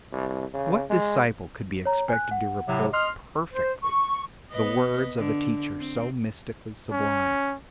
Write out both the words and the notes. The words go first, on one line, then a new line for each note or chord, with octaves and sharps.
What disciple could be expected to report perfectly the words of a teacher so mystically sublime?
C2
C#3
G#3
C#5 A#5
G#5 F#6
F#5
A2 C3 F#3
D#5 C6 F6
C5
C#6
B3 B4 D#5
D3
C4
C#4